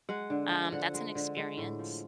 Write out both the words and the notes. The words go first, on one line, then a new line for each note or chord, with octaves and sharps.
Um, that's an experience."
G#3 F#5
D3
F3
D3 F#5
G#3
D3
G#3
A2
F3